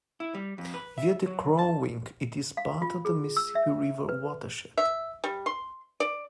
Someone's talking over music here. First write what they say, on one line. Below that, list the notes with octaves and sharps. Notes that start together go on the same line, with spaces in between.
Via the Crow Wing, it is part of the Mississippi River watershed.
E4
G3
F2
B4
E5
F#3
A5
F5
F4
G#4
E6
E5
B4
E5
G3
C6
D5